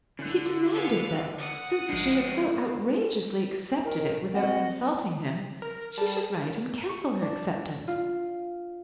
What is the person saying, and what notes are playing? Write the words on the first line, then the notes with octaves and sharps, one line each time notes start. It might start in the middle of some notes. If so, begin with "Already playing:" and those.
He demanded that, since she had so outrageously accepted it without consulting him, she should write and cancel her acceptance.
D3 C#4 E4 F#6
B3 F5
F#5 D#6
A#1 F3 G#3 D4
D#3 A#4
C4 F#4 D#5 F#5
A#4
G3 A5
C#6
D4
F4